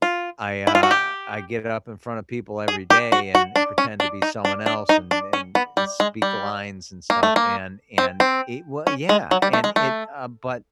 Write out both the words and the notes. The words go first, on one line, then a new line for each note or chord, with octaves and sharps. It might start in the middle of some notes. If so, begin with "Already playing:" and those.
I, uh, I get up in front of people every day and pretend to be someone else an an and speak lines and stuff, and and it wa Yeah, and it uh, but
F4
E4
F4
F#4
G4
G#4
G4
F#4
F#4
D4
C#4
D4
D#4
D4
D4
D#4
D4
C#4
B3
G3
G#3
G3
A#3
A3
A#3
C4
C4
C#4
G#3
F#3
G3
A3
G#3
A3